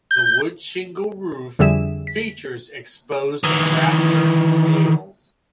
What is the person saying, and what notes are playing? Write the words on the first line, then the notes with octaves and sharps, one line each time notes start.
The wood shingle roof features exposed rafter tails.
G6
F2 D3 G3 G#4 E5 E7
B6
D#3 E3